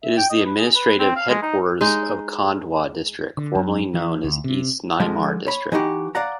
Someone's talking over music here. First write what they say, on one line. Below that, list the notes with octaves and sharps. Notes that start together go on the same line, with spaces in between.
It is the administrative headquarters of Khandwa District, formerly known as East Nimar District.
E5
G5
D#5
B4
G#4
B4
C4
F5
G#3
D#4
G#3 D#4
D3
F#2
E3
D2
C3
D3 F3 G#3
C#5 B5
E3 D#4 F#4 G4
D5 F5 F#5 A#5